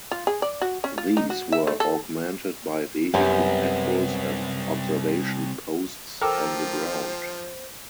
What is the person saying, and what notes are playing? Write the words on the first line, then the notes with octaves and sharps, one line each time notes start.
These were augmented by vehicle patrols and observation posts on the ground.
F4
G#4
D5
F#4
C#4
F4
D#4
F#4
E5
A3
A4
C2 F#2 B3 G4 F#5
F3 A4 A#4 C5 G5 D6 E6